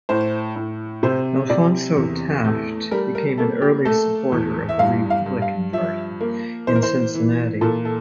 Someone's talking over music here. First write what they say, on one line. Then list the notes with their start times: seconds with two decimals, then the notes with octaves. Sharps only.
Alphonso Taft became an early supporter of the Republican Party in Cincinnati.
0.09 A2 C5
0.56 A2
1.03 C3 C5
1.50 C3 D5
1.97 E2
2.45 A3
2.91 G3 A#4
3.15 A#4
3.38 A#3 A4
3.62 G4
3.85 A3 A4
4.32 E2
4.69 E5
4.79 G2 F5
5.10 F5
5.26 G2
5.42 F5
5.73 F3 E5
6.21 A#3
6.67 E3 C5
6.75 A#4
6.83 C5
7.14 E3
7.61 A#2 A4
7.85 A4